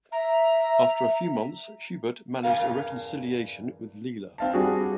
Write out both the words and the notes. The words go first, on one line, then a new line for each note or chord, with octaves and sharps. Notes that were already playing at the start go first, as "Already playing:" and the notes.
After a few months, Hubert managed a reconciliation with Leila.
E5 A#5
E2 G2 C#3 A#4 F5
C4 F5 A5
G3 D4 F#4 G#4